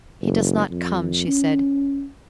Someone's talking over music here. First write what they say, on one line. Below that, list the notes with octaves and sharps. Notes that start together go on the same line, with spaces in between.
"He does not come," she said.
F#1
F2
C#4